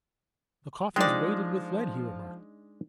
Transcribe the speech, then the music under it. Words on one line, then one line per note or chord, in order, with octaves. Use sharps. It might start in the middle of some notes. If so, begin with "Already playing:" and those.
"The coffin's weighted with lead!" he remarked.
F3 G#3 D4 D#4 G4 D5